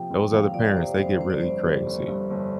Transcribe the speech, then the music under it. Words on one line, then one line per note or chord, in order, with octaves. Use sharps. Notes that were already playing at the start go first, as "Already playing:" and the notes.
those other parents, they get really crazy.
Already playing: C3 F3 G5
F1
F2 F5
F3 D5
D5
C3 C5
F1 C5
G2 C5
D5
G1 C5
G3
G1
G2
G1